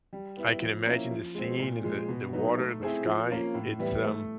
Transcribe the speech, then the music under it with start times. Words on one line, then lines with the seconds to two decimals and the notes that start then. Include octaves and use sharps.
I can imagine the scene in the the water, the sky. It's, um
0.13 G3
0.37 B3 E4
0.62 F3
0.86 A#3 C#4 E4
1.10 F3
1.35 G#3 C4
1.60 A#2
1.84 F3 G#3
2.09 B2
2.33 F#3 B3 D#4
2.57 A3
2.82 C4 E4 G#4 C5
3.05 F3
3.30 A#3 C#4 F4
3.54 A2
3.79 E3 G3 B3 E4
4.04 A3